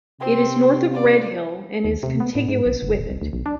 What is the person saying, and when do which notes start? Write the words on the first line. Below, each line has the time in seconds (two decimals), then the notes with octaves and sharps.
It is north of Redhill and is contiguous with it.
0.21 C3 C4 C6
0.89 F4 D5
1.85 D#2
2.03 C3
2.20 B3
2.35 A2
2.49 G#2
2.66 B1
2.82 F#1
2.99 D#1
3.10 C2
3.21 D2
3.33 B1
3.46 D4